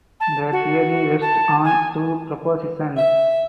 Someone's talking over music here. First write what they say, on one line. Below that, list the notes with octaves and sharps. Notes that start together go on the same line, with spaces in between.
The theory rests on two propositions.
A5
F#4
A5
G#5
E5